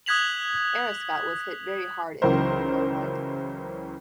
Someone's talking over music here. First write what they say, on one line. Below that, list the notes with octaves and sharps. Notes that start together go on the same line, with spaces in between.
Aarschot was hit very hard in World War One.
D#6 F#6 G#6 B6 F7 F#7
C#2 C#3 E3 F#3 A#4 C5